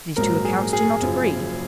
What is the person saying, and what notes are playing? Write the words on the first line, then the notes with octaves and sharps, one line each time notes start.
These two accounts do not agree.
A#1 G#2 F#3 A#4
G#4
G#4
F#1 F#2 F3